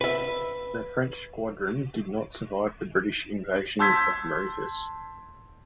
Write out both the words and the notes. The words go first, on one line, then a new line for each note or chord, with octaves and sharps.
The French squadron did not survive the British invasion of Mauritius.
B4 E5
A5 C6 E6 G6 G#6 B6